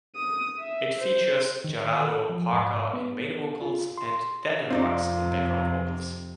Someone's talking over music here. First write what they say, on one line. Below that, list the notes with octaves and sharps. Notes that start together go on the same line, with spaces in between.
It features Gerardo Parker in main vocals and Daniel Rucks in background vocals.
D#6
E5
C5
D#3
A4
F3
G#2
B3
F4
C6
F2 C3 C4 D#4 F4 D5